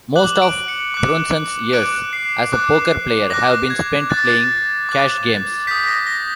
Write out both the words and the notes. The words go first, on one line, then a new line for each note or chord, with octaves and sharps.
Most of Brunson's years as a poker player have been spent playing cash games.
D6 F#6 F#7
D7
C#7
D6 F#6
D6 F#6 D7
C7
D6 F#6
D6 F#6 A#6
G#6
D6 F#6 A6
D6 F#6
D#6 G6 B6
A#6
A#6